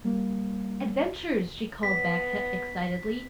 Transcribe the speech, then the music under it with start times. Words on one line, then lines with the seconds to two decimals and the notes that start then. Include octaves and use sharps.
"Adventures!" she called back excitedly.
0.04 G3 A#3
1.83 B3 B6